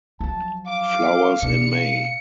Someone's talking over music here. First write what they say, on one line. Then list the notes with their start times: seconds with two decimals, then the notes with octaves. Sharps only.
Flowers in May.
0.20 F3 F#3 A5
0.67 F5 D6
1.42 B2 D4 C#7
1.75 F5